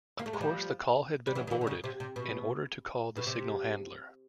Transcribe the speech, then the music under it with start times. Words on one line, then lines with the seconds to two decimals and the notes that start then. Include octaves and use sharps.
Of course the call had been aborted in order to call the signal handler.
0.19 A#3
0.26 A3
0.33 G#3
0.41 F3 G3
1.27 G3
1.35 E3 F#3
1.47 D#3
1.51 D3 E3
1.61 D3
1.67 C#3
1.84 C3
2.00 C3
2.16 B2
3.17 B2
3.27 C3